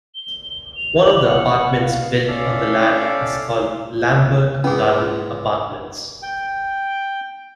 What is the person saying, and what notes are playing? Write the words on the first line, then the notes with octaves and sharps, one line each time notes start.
One of the apartments built on the land is called Lambert Gardens Apartments.
G7
F7
F#7
F#5
F5
C#4 A4 D5 E5 F5
G#2 B3 C#4 G#4
G5